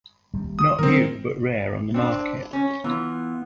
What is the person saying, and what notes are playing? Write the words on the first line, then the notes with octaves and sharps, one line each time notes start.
Not new, but rare on the market.
D#1 G3
D#6
D#3 F#3 G3 C4 A#4
C4 D4
C#4
E3 B3 F4